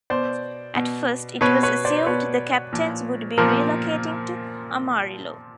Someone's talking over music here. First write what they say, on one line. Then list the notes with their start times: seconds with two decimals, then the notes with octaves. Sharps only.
At first it was assumed the Captains would be relocating to Amarillo.
0.10 B2 C5 D5
0.75 B2
1.41 B2 B4 C#5
1.63 B4 C#5
1.85 C5 D5
2.06 B2 B4 C#5
2.72 A#2 F3
3.38 A#2 F3 A#4 C5